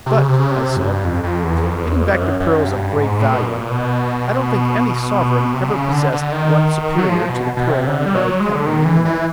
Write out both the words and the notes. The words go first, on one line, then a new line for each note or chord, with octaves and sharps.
"But," I said, "getting back to pearls of great value, I don't think any sovereign ever possessed one superior to the pearl owned by Captain Nemo."
C3
C#3
C3
C#3
C3
F#2
G2
F2
F2
E2
F2
E2
F2
F#2
F#2
G2
G#2
A2
B2
A#2
B2
C3
D3
C#3
D3
D3
D#3
F#3
F3
B2
B2
C3
D3
G3
F#3
G#3
D3
D#3
E3
E3